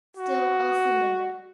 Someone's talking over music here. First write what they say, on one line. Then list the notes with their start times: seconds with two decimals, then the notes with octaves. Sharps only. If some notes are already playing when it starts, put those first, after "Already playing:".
Still Elsie lingered.
0.17 F#4